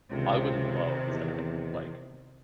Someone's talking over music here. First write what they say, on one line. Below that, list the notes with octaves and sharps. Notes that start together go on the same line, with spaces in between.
I would love that, like
C#2 C3 D#3
E2